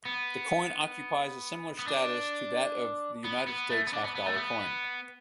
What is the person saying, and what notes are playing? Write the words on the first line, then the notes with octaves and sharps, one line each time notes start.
The coin occupies a similar status to that of the United States half-dollar coin.
B3
B3
D4
B3
B3
A3
B3
D4
B3
B3
A3
B3